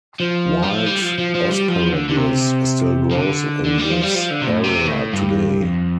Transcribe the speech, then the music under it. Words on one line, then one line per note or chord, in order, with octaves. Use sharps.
Wild asparagus still grows in this area today.
F3
G3
F3
G3
F3
F3
F3
G3
F3
D3
D3
C3
F3
D3
D3
G3
F3
G3
F3
D3
C3
A2
C3
A2
G2
F2